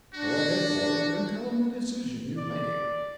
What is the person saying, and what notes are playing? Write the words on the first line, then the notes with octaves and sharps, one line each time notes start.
"Go ahead, boys, an' tell him the decision you've made."
D4 F#4
D5